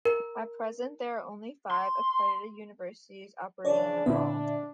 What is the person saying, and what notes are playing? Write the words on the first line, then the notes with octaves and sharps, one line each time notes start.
At present there are only five accredited universities operating in Nepal.
A#4
C6
C#3 E3 D4 C#5 D5
A#2 D3 B3 C4 D4 E4 E5